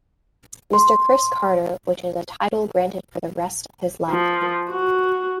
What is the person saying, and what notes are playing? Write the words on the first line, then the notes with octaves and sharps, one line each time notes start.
Mr Chris Carter, which is a title granted for the rest of his life.
C6
F3
F#4